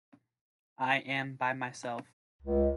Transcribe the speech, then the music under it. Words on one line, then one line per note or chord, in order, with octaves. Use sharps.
I am by myself.
C#2